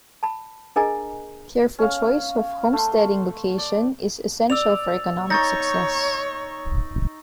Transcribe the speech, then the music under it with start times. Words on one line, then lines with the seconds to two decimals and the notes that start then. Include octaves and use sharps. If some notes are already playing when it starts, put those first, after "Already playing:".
Careful choice of homesteading location is essential for economic success.
0.23 A5 B5
0.76 D4 G#4 A#4 D#5 G#5 A#5
1.78 C#4 F5
2.73 A3 C6
3.58 D5
4.50 D5 E6 F7
5.30 D#4 C#5 C#6 A6 A#6